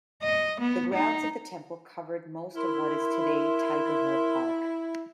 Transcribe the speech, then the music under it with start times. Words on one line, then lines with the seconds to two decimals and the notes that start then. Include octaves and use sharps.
The grounds of the temple covered most of what is today Tiger Hill park.
0.24 D#5
0.60 B3
0.94 D#4
2.56 E4 A#4 C6